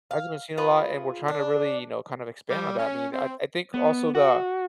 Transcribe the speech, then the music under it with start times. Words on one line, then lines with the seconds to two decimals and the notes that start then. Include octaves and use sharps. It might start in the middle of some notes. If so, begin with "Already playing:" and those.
Hasn't been seen a lot, and we're trying to really, you know, kind of expand on that, I mean, I I think also the,
0.11 F5
0.57 F4 G#4 B4
1.28 D4
2.49 G3
2.78 C#4
3.13 C4
3.74 B3
4.15 F#4